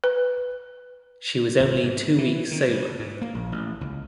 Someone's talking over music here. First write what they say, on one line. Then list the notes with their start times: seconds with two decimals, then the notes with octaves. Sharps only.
She was only two weeks sober.
0.04 B4
1.60 G#1
1.83 G#2
2.18 E3
2.51 D#3
2.69 G2
2.99 G#2
3.21 A#3
3.35 A#1
3.52 A1
3.81 C#2